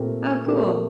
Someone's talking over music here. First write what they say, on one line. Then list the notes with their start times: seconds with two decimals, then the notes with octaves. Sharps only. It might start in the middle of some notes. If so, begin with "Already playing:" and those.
Oh, cool.
Already playing: A#2 A3 C4 G4 A#4
0.46 A#2 A3 C4 G4 A#4